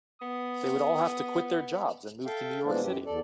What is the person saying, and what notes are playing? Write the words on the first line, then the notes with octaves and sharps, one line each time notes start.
They would all have to quit their jobs and move to New York City.
B3 D#6
A4 E5 F5 G5
B2 E3 F3 G#3 A#3 D4
F#2 G4
E2 A4 D5